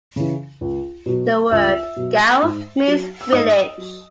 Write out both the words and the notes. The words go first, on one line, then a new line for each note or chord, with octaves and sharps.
The word "gao" means 'village'.
C#3 E3
C#2
B2 F#3
C#2 E5 E6
B2 F#3
G#2
F#3
E6
G#2 D#5 D#6
F#3